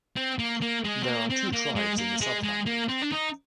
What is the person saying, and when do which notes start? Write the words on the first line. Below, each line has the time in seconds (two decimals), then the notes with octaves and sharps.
There are two tribes in the subfamily.
0.17 C4
0.39 A#3
0.62 A#3
0.84 G#3
1.03 C4
1.08 A#3
1.30 C4
1.52 A#3
1.75 G#3
1.98 A#3
2.21 G#3
2.43 G#3
2.66 A#3
2.88 C4
3.02 D4
3.11 D#4